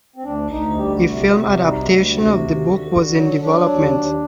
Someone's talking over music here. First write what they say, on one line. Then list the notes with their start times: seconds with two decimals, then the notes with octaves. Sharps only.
A film adaptation of the book was in development.
0.16 C4
0.24 D2 D4
0.50 D2 D#4
0.77 G3 G4
0.94 F#4
1.03 C3
1.12 F#4
1.30 C3
1.47 F#4
1.56 G3
1.65 D#4
1.83 D2 F#4
2.09 C3
2.35 D#2
2.61 D3
2.88 D3
3.15 F#3
3.41 F#3 D4
3.68 D#2
3.94 D#2